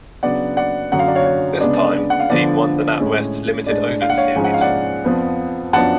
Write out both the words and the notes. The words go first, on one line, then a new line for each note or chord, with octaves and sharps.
This time, the team won the NatWest limited overs series.
C#3 F#3 B3 D4 D5 F#5
D5 F#5
F#2 D3 F#3 F#5
F5
D5
C#5 F5
C#5
C#3 G#3 B3 D4 D5
F#5
F5
D3 F3 B3 D4 D5
A2 G#3 C#4
A2 G#3 D4 D5
F5
F#5
C#5 F5
G#2 F3 G#3 C#4 G#5
F#5
F5
D5 F#5
F2 F3 B3
F#2 F3 B3 D4 F#5 A5